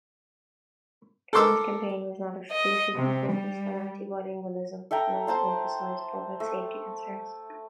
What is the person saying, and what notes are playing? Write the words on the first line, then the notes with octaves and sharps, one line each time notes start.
Doern's campaign was not exclusively focused on anti-bilingualism, and also emphasized public safety concerns.
A4 A#4 C6 D6 E6
D#5
C3
G3
A4 E5 G5 A#5
C5 A5 A#5 C6
A3